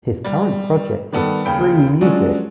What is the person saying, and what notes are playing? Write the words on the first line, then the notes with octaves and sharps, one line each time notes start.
His current project is Free Music!
G3
D#3 G3 B3 A4
D#2 C#3 G5 B5
F3 F#3 G#3 C#4 D4